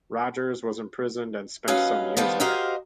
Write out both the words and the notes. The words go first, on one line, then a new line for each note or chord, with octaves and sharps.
Rogers was imprisoned and spent some years there.
D#2 F#3 C#4 B4 D#5 F5
A2 D#3 F3 G3 B3
F#4 G4 A#4 C5 D#5 F5